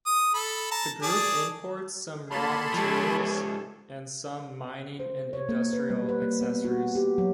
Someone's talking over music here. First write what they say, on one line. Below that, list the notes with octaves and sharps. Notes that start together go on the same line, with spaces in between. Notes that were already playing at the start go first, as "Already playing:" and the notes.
The group imports some raw materials and some mining and industrial accessories.
D#6
A4 B5
A5 A#5
G#4 D5 A5
A#3 G#4 A4 A5 B5 C6
G#2 F3 C#4 G4
C5
C#5
A#3
B4
G3
B4
A#3
B3
F#4
G4
F#3